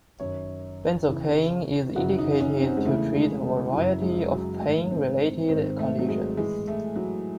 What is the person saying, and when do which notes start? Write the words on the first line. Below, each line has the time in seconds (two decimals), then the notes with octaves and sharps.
Benzocaine is indicated to treat a variety of pain-related conditions.
0.20 F#2 D#3 C#5
1.08 E2 C#3 E3
1.96 F#2 C#3 E3 F#4
2.18 D#4
2.40 C#4
2.62 C4
2.77 G#3
2.85 E2 C#3 E3 A3
3.14 G#3
3.72 F#2 C#3 E3 F#3
4.02 G#3
4.32 F#3
4.62 G#2 D#3 A3
4.91 C4
5.49 G#2 D#3 C4
5.79 A3
5.99 F#3
6.09 G#3
6.37 A2 E3 G#3
6.68 A3
6.96 F#3